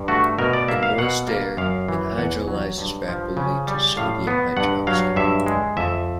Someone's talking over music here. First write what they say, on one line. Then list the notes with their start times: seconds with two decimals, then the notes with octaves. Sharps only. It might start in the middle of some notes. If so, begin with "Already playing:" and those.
In moist air, it hydrolyzes rapidly to sodium hydroxide.
Already playing: G2
0.08 A3 F#4
0.39 B2 A#4
0.53 D5
0.68 A#3 E5
0.83 F5
0.98 B2 F#5
1.28 A#3
1.57 F#2 F5
1.88 E3
2.18 E2 F#5
2.48 F#3
2.78 G2
3.08 F3
3.37 C#3
3.67 G3
3.97 A2 F5
4.27 B3
4.57 G2 F#5
4.87 F#3 F5
5.16 G2 E5
5.46 G#3
5.77 F2 E5